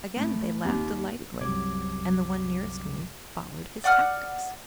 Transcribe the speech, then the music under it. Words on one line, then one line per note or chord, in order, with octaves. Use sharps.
Again they laughed delightedly, and the one nearest me followed his tactics.
A2
D#2
C2 F#2 C3 F#3 D6 G#6
D5 F#5 D#6 F6